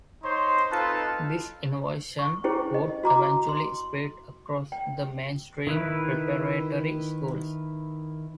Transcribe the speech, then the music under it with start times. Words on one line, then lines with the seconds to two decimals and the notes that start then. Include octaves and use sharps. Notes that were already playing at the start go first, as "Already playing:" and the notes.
This innovation would eventually spread across the mainstream preparatory schools.
0.23 D#4 C5 C#5 C6
0.70 C4 D#4 F4 A4 B4 A5
2.19 C#6
2.44 C#4 D4 E4 G4 G#4 C5
2.74 D#5
3.03 F#4 A#5 D6
3.49 C6
4.72 G5
5.67 D#3 E4 B4